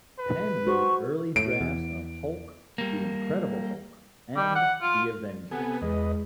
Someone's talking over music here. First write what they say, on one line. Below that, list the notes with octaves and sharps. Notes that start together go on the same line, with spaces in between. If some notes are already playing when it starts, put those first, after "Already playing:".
Penn wrote early drafts of "Hulk", "The Incredible Hulk", and "The Avengers".
B4
F#4 C5 C#6
A2 D7
E2
G3 A#3
G3
F#5
F4
C3 B3 A4 G#5
E2 G#3 B4 D#5